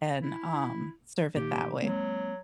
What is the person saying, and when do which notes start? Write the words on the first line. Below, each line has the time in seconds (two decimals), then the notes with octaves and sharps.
and, um, serve it that way.
0.23 E4
1.36 A#2 D#3 G4
1.82 F#3 G#3 A#3 C4